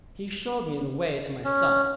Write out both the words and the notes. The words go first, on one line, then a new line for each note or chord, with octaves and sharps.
He showed me the way to my son.
C#4